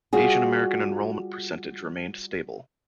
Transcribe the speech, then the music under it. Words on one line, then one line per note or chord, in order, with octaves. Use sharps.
Asian American enrollment percentage remained stable.
G3 F4 F#4 G#4